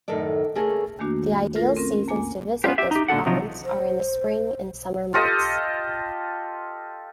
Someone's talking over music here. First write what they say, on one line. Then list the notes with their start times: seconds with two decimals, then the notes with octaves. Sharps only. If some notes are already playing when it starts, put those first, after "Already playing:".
The ideal seasons to visit this province are in the spring and summer months.
0.08 F#2 A2 D#3 A4 D5
0.55 C#3 A3 A#3 G#4 A4
0.99 E2 D#3 A3 A#3 D4 F#4
1.55 A3 F4 A4 A#4
1.77 C4 C#4 A#4
2.08 F2 A#3 G#5 D6
2.64 B3 C#4 D4 F4 G4
2.78 G4 E5
2.91 D#4 G4
3.08 A#2 D3 F#4 A4 F#5
3.26 C3 D#3 F3 F#3 D#4 F4
3.64 C5
5.14 F4 G4 A4 D#5